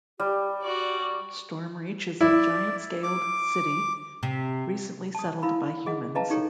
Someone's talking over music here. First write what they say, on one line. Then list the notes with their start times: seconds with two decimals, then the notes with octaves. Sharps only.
Stormreach is a giant-scaled city, recently settled by humans.
0.20 G3 G4
0.62 F#4 D5
2.21 E4 D5
3.03 D6
4.23 C3
5.15 A5 D#6
5.42 E4 F5 B5 E6
5.86 G#4 D#5 F#5
6.15 C#4 B4 D#5 F5 A5 A#5
6.30 D#4 G4 A4 C#5